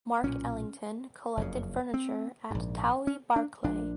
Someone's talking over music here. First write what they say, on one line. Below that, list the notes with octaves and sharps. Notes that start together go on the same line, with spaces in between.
Marc Ellington collected furniture at Towie Barclay.
B1 A#2 C#4
F#1 F2 C#3
C4
A#1 G#2
C#4
D4
A#1 A#2 D4